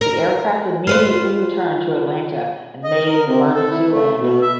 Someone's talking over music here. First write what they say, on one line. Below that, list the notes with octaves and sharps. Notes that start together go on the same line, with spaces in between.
The aircraft immediately returned to Atlanta and made an emergency landing.
A#4
F4 B4 C5
D#5
A#4
C3
A4
E4
A3
B2
E5